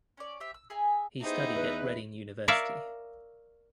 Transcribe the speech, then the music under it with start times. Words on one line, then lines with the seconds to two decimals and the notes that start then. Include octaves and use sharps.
He studied at Reading University.
0.17 C#4 C#5 D5
0.40 G4 C5 E5
0.54 E6
0.70 G#4 E5 G#5 A#5
1.23 B3 D#4 E4 G4 G#4 C5
1.55 E2 B4
2.48 A#4 C#5 D5 E5 F5